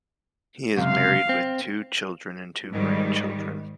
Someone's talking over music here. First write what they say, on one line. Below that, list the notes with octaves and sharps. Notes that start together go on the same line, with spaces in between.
He is married with two children and two grandchildren.
C#2 F#2 C3 F5
C4
G#2 D#3 G3